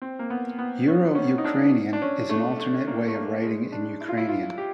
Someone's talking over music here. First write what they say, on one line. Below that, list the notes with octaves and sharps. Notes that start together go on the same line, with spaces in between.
Euro-Ukrainian is an alternate way of writing in Ukrainian.
C4
A#3
B3
B3
C#4
C#4
D#4
D4
D4
C#4
A3
A3
A#3
A3
A#3
G#3
D4
E4
F4
E4
F4
G4